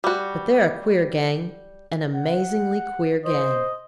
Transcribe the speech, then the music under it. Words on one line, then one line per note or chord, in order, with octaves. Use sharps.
But they're a queer gang,--an amazingly queer gang!'
G3 F#4
F#5
C5 D#5